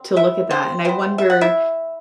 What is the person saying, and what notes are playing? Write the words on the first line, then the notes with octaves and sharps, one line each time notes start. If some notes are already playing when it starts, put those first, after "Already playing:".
to look at that, and I wonder
Already playing: D3 C4
E4 E5
C4 C5
E3 B3 C4 C5
E5
F#5
E4 E5